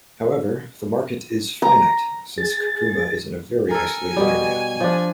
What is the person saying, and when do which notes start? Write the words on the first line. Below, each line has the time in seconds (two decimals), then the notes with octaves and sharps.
However, the market is finite, since Kakuma is in a very isolated area.
1.62 A#5
2.38 G#4 A6
3.71 A4 A#4 G#5
4.16 B2 G3
4.80 F3 D4